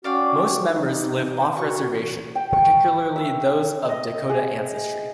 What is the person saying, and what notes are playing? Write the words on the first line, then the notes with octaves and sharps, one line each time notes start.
Most members live off-Reservation, particularly those of Dakota ancestry.
C#4 F#4 D5 F5 G5
E3 D#4
F#4 C#6
G5
C#6
E5
D#5
G#4